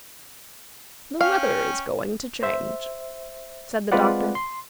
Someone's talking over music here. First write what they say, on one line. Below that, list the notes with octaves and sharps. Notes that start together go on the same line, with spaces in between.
"The weather is going to change," said the Doctor.
C#4 F5 G5
C5 E5
G#3 C4 F4 B4 D5 F#5
C6